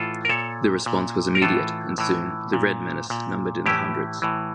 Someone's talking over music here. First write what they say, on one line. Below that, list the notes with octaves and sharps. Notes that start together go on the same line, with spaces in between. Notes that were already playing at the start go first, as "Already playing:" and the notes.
The response was immediate, and soon, "The Red Menace" numbered in the hundreds.
Already playing: A2 E3 F4 A4
A#4
A#2 A4 C#5
A#2
A#4
A2 E3 F4 A4
A2 E3
A#2
A#2
A2 E3 E4 G4
A2 E3